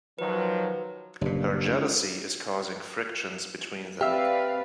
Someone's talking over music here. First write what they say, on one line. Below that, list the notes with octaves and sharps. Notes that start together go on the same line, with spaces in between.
Her jealousy is causing frictions between them.
D#3 F3 F#3 B4
F#1 G2 A#2
C#2
C4 G4 B4 D5 E5 F5